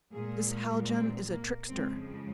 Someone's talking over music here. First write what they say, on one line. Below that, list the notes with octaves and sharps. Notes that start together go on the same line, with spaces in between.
This Haljan is a trickster!
A#2 G#3 G#4
C4
A#3
F2 C#3 F3 G#3 C4